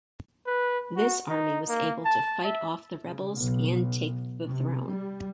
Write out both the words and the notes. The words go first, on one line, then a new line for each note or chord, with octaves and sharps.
This army was able to fight off the rebels and take the throne.
B4
F#4
D#4
A#3
A5
E5
C#3
B1
C3
G3